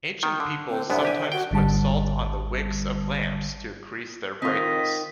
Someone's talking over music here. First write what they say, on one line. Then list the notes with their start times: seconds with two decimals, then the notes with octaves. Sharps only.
Ancient peoples sometimes put salt on the wicks of lamps to increase their brightness.
0.23 D#3
0.40 D3
0.69 C4
0.90 C2 F#2 B3 D4
1.03 C2 G4 G#5
1.32 F#4 G5
1.51 G#1 D3 G3 A5
4.42 D#3 C4 F4 D#5 B6